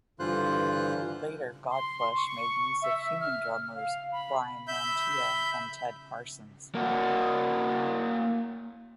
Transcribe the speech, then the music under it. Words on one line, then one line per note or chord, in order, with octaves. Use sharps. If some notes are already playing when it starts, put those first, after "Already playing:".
Later, Godflesh made use of human drummers Bryan Mantia and Ted Parsons.
G2 D3 E3 F4 C5 F#6
C6
C#6
E5
F6
F5
B5
E5 B5 G6
A#3 F#4